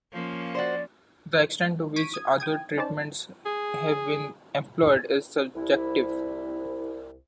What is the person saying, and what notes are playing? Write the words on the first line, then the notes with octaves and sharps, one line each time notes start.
The extent to which other treatments have been employed is subjective.
F3 A#3 C#4
F#4 C5 D5
C#6 G#6 B6 D7 D#7
D#6 G#6
G5 D#6 G#6
C#4 D#4 C5 D5 A5
G#4
C2 E4